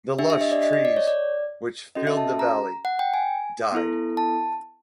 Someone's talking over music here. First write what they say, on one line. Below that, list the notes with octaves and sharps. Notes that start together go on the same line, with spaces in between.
The lush trees, which filled the valley, died.
D4 G4 E5
E5
D#5
D5
D#5
D#5
D5
C#5
D5
C#4 F#4 A4 D#5
E5
A5
A#5
F#5
G5
G#5
B3 E4 A4
A5